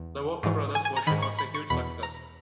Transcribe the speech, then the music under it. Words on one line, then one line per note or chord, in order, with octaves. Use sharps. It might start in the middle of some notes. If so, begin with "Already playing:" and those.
The Walker Brothers version was a huge success.
Already playing: E2
G#2 E3
G#5
G#5
A#5
G#2 D#3 B5
C#6
B5
C#6
E2 B2 B5
A#5